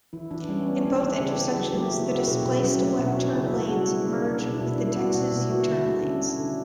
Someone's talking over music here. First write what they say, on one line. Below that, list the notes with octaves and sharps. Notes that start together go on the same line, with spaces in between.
In both intersections, the displaced left turn lanes merge with the Texas U-turn lanes.
E3 E4
E3 D4
G3 C#4
B3 C#4
E3 D4
D4
E3 E4
C#3 G4
C#3
F#3
A3 G4
F#4
C#3
E4
C#3 F#4
B2 G4
B2 B4
F#3 C#4
A3 C#4
B2 C#4
D4
B2
C#3 E4
C#3 F#4
G3 F#4
B3 E4
C#3 D4
C#3 D4
B2 D4
E4
B2 D4
G3 E4
B3 F#4
B2
B2
A3 F#4
D3 E4
A3 D4
D3 C#4
A3
D4
D3